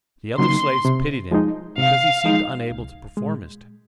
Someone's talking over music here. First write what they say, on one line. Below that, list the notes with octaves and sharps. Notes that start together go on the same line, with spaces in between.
The other slaves pitied him because he seemed unable to perform his task.
C#3 F#3 A#3 D#4 C6
C3
F3 G#3 D#4
C3 F5
F3 G#3 D#4
C2
A#2 G#3